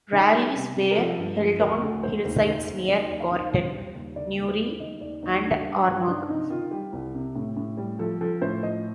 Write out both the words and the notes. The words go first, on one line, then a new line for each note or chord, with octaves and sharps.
Rallies were held on hillsides near Gortin, Newry, and Armagh.
D#3
G3
C3
C3
A#4
F3 A4
G2
F3
D2 A#4
D2 A4
D2 C5
D#2
D#3
D#2
D#3 D5
D#2
F5
D#3
D#2
G3
D#2
D3 D5
D#2
C5
G3
D#3 D#5
D#2 D5
D#2 D#4
G3 D4
G3
G2
D#3 D4
C3 D#4
D#3 F4
G3 G4
C2
C3
A2
A2
G3
F3 A4
F3 A4
A2 C5
F3 D#5